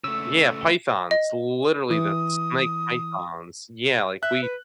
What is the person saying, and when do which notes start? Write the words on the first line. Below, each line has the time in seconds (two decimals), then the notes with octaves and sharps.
Yeah, pythons. Literally, the snake, pythons. Yeah, like, we
0.04 C#3 A3 E6
1.11 D#5
1.90 E3 D#6
4.23 E5 F#6
4.43 B4